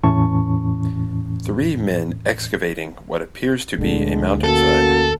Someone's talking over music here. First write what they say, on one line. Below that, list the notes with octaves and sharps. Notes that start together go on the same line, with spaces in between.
Three men excavating what appears to be a mountainside.
E2 A2 E3 C#4 A5 C#6
D2 A#2 D3 G#3
A#3 C#4 F#4 A4